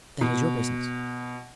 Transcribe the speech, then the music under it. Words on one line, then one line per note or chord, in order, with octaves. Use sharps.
"That is your business."
B2